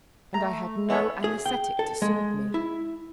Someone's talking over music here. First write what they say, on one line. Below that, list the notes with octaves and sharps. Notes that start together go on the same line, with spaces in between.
And I had no anaesthetic to soothe me.
A3 A#5
E3 B3 A4 C#5 E5
G#4
G5
A4
G#3
E4